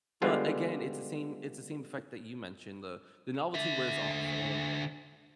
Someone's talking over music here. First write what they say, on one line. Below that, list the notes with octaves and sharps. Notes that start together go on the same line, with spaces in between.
But again, it's the same it's the same effect that you mentioned. The the novelty wears off. And
D3 G3 G#3 B3 F4
D3 E5